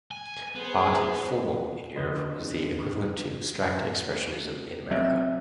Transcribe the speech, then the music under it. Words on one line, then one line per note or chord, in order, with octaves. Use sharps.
Art Informel in Europe was the equivalent to Abstract Expressionism in America.
G#5
B3 G#4 C5
F2 D3 B4 D#5 E7
F#3 C4 E5